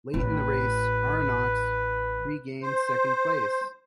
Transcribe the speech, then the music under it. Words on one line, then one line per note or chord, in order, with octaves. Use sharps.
Late in the race Arnoux regained second place.
A1 B4
C5